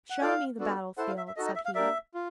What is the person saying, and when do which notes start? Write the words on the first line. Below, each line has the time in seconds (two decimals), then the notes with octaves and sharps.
'Show me the battle-field,' said he.
0.10 F#5
0.21 F4 A4 D5 F5 G5
0.59 B3 D4 F#4 A4
0.97 E4 A4 C5 F#5
1.08 F5
1.17 E5
1.28 E5
1.36 D#4 F#4 A4 D#5
1.46 D#5
1.55 E5
1.65 F5
1.75 A#3 D4 G4 A#4 D5 E5
2.14 F4